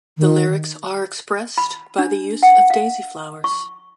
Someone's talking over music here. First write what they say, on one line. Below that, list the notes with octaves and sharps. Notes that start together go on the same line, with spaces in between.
The lyrics are expressed by the use of daisy flowers.
D#3
B5
D4
F#5
F5
C#6